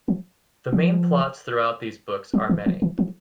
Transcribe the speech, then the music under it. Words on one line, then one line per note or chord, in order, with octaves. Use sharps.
The main plots throughout these books are many.
F3
F3
F#3
E3
F3
E3
F3